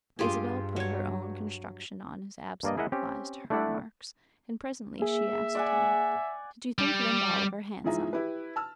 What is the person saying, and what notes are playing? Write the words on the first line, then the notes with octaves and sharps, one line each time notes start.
Isabel put her own construction on his absent replies to her remarks and presently she asked him, "Did you think Lynde Oliver handsome?"
G2 F4 G4 G#4
F#3 C#5
G2 A#3 D5 D#5
E4 G#4 A#4 D#5 E5 F#5
C4 C#4 G4
A3 D4 E4 D5 F#5
A#3 G#4 E5
D5 F#5 G#5
G3
G#2 E3 F3 G#4 E5 A#5
E4 G4 B4
A5 E6 F6